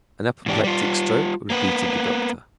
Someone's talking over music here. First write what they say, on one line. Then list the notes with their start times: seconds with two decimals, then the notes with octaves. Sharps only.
"An apoplectic stroke?" repeated the doctor.
0.46 G#2 E3 D4 G4
0.64 G3 F4
1.50 A#3 B3 B4